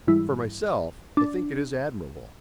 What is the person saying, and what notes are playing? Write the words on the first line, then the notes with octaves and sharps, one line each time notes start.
For myself, I think it is admirable.
G#2 E3 G3 E4
D4